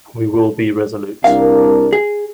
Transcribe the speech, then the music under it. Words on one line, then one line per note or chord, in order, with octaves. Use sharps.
We will be resolute!
C2 D4 A#4 F5
G#4